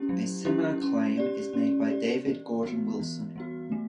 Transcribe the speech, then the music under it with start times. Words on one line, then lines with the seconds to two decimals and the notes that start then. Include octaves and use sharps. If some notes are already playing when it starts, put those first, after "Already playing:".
A similar claim is made by David Gordon Wilson.
Already playing: C#4 E4 G4
0.09 F#3
0.45 C#4 E4 G4
0.82 C#4
1.17 G4 D5
1.53 C#4
1.90 G4 D5
2.27 E3
2.63 G3 B3 F#4
3.00 E3
3.36 G3 B3 F#4
3.72 A3